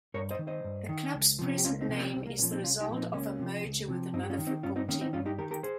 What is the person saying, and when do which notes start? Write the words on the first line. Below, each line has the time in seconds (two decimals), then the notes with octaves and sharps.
The club's present name is the result of a merger with another football team.
0.14 G2 A#4 C#5
0.31 C5 D#5
0.39 D#3
0.47 C5 D#5
0.64 G2
0.89 D#3
1.14 C#2
1.39 C3 F3
1.58 G4
1.64 C#2 C#4 F4
1.81 C4 D#4
1.89 C3 F3
1.97 A#3 C#4
2.14 C2 C4
2.27 A#3
2.38 A#2 A#3 C#4
2.43 F3
2.51 C4 D#4
2.64 C2 C#4 F4
2.80 D#4 G4
2.89 A#2 F3
2.97 C4 D#4
3.14 C#2 A#3 C#4
3.39 C3 F3
3.64 C#2
3.88 C3 F3
4.13 G2 C4 D#4
4.23 G4
4.30 C#4 F4
4.38 D#3
4.47 C4 D#4
4.63 G2 C#4 F4
4.76 C4 D#4
4.88 D#3 A#3 C#4
5.01 C4 D#4
5.13 G2 C#4 F4
5.26 D#4 G4
5.38 D#3 G4 A#4
5.51 G4 A#4
5.63 G#4 C5